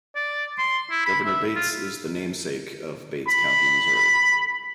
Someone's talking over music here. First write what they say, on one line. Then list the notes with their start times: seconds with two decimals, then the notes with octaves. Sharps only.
Governor Bates is the namesake of Bates County, Missouri.
0.16 D5
0.58 C6
0.91 E4
1.05 B5
1.25 E5
1.56 F4
3.28 B5